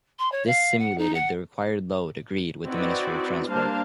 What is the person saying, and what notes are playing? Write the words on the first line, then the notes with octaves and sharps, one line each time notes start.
This simulated the required load agreed with the Ministry of Transport.
C6
C#5
F5
F#5
D#4
F#5
C4 D#4 E4 F#4 B4 D5
G3 A#3 D4 C5 F5 A5